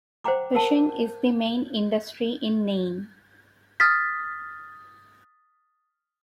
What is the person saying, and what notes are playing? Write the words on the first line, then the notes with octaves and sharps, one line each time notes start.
Fishing is the main industry in Nain.
C5 F#5 G5 A#5 D6
A#4 F#5 A5
D#6 F6 A6 B6